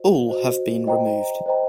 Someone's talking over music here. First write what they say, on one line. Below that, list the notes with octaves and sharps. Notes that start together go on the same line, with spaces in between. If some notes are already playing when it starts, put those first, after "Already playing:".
All have been removed.
Already playing: F#4 C5 D#5
F#4 C5 D#5
C5 D#5 G5 A#5
C5 D#5 G5 A#5